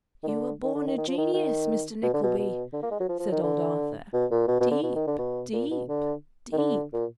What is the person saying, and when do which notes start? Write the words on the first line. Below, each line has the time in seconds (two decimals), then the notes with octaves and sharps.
'You were born a genius, Mr Nickleby,' said old Arthur. 'Deep, deep, deep.
0.23 D#3
0.27 D3
0.63 D#3
0.74 D3
0.87 D#3
0.98 D#3
1.07 F3
1.17 D#3
1.34 D#3
2.03 B2
2.13 D3
2.23 B2
2.39 B2
2.73 D3
2.82 A#3
2.91 G#3
3.00 F#3
3.09 F3
3.19 F3
3.32 D#3
3.43 D3
4.13 B2
4.31 A#2
4.48 B2
4.60 B2
4.71 D3
4.83 B2
4.95 D#3
5.07 D3
5.18 B2
5.53 A#2
5.71 B2
5.89 D3
6.52 D#3
6.58 D3
6.93 A#2